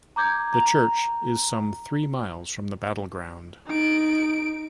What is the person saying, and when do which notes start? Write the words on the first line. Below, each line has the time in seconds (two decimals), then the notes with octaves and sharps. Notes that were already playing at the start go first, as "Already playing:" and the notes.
The church is some three miles from the battle ground.
0.16 A#5 D6 G6 G#6
0.54 A#5
3.66 D#4 D7